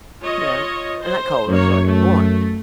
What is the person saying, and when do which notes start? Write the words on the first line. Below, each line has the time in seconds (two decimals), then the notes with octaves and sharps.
You know? And not cold, I'm sorry, warm.
0.20 F4 C#5 D#5
0.99 C5
1.48 F#2 A#3 C#5
1.85 A3